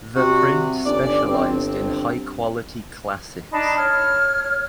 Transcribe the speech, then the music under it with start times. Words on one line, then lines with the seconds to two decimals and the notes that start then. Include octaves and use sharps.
The print specialized in high quality classics.
0.16 C3 G3 F#4
0.86 G1 C#4 D5
1.31 C4
3.51 D4 D#4 A5 B5
3.76 C#5 F6